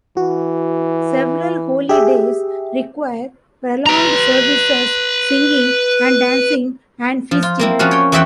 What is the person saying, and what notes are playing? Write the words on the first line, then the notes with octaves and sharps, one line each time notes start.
Several holy days require prolonged services, singing and dancing, and feasting.
E3 F#4
G4 G#4 E5
B4 A#5
F3
F4
A#3 C4 E4
F3 C#4 F#4 F5
C#5 G5
E2 C4 F#4 E5 F#5 G5